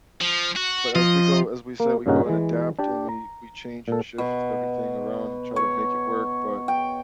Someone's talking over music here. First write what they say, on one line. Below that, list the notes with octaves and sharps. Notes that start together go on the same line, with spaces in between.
but as we go, as we said, we go and adapt and we we change and shift everything around and try to make it work, but,
F3
F#4
F3 D#5
A#3
G2 A#2 C#3 C#4 D#4 F#4
E3 G#3
D4 G4 D5
A#5
A#2 A4
B2
C#5
G5